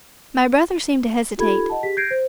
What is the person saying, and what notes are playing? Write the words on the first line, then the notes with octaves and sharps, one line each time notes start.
My brother seemed to hesitate.
D#4 F4 G4 A4 B5 G#6
D#5 F#5 A5
G4 G#4 B6
G6 G#6 A#6 C7 D7
C5